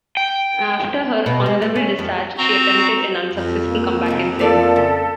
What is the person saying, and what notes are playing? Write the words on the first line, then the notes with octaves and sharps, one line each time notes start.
After her honorable discharge she attempted an unsuccessful comeback in films.
G5
B2
G#3
A3
C#4
F2
C4 F#4 A#5
F2
A#3
C3 D#3 G#3
A3 A#3 F4 A4 B4 D5
C#3